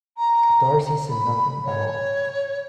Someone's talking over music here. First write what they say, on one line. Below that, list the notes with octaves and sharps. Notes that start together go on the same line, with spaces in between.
Darcy said nothing at all.
A#5
B5
C#5